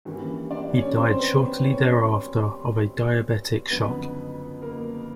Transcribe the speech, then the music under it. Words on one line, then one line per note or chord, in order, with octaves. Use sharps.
He died shortly thereafter of a diabetic shock.
G2 E3 G3 A#3 C#4
D4 D5
C#4 C#5
C4 C5
B3 B4
C4 C5
C#4 C#5
F#1 F2 D3 B3 B4
A#3 A#4